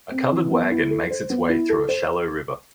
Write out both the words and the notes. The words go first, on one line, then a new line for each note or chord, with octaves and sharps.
A covered wagon makes its way through a shallow river.
C4
E3
B3
E4
A4
C5
B3
E4
A4
C5